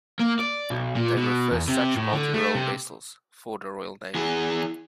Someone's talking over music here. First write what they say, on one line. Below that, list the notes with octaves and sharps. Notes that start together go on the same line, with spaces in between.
They were first such 'multi role' vessels for the Royal Navy.
A#3
D5
B1
A#2
B2
E2
C3
A2
D3
A3
C3
E3 G#4